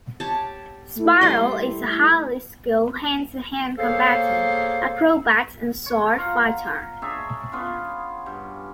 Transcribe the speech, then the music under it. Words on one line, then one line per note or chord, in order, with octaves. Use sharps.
Spiral is a highly skilled hand-to-hand combatant, acrobat, and sword fighter.
G4 C#5 A5
A3 E4
G3 C6
A#3 G#4 A4 C5 C#5 F5
C#5
F4 F5 F#5 A#5
D4 G#4 C#5 E5
B3 C#4 F4
G2